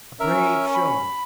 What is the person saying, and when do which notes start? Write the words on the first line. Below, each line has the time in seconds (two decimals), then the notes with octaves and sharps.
A brave show.
0.20 C#4 A#4 E5
0.75 B5